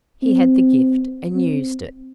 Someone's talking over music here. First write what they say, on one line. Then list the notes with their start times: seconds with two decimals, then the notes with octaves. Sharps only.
He had the gift and used it.
0.23 C4
1.35 C4